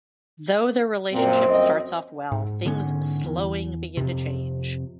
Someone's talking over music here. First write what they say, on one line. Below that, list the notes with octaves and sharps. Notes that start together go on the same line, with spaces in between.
Though their relationship starts off well, things slowing begin to change.
F#2 A#2 C4
D2 F3 D#5
G#2
G#2 D3 B3 C#4
E2
F2 C3